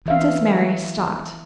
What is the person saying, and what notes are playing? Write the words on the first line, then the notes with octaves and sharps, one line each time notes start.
Princess Mary stopped.
E3 E5 F5